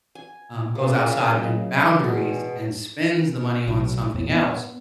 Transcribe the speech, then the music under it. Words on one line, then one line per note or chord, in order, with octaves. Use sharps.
um, goes outside the boundaries and spends the money on something else?"
G#5
A#2 C#3
F#3 D#5
E2 B2 G#4
B1
E2
B3